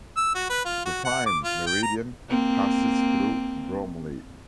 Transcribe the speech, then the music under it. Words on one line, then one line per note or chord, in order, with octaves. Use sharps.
The Prime Meridian passes through Bromley.
E6
F#4
B4
F4
F#4
F#5
D6
F4
G5
A#5
A#3 C4